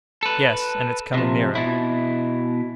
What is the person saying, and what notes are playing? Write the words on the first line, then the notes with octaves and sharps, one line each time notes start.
"Yes, and it's coming nearer."
A4 B4
C3 F3
B2 E4